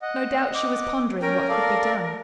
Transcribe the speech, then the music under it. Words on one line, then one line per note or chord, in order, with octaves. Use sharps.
No doubt she was pondering what could be done.
D#5 F#5
D6
C#4 A#4 G5
A4 D5 F5